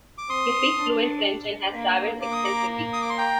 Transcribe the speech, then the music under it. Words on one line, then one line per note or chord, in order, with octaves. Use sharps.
He speaks fluent French and has travelled extensively.
D6
C4 C6 D#6
D4
A#3
A#3 D6
D#6
A#5 D6
D#6
D6
C6
G5 A#5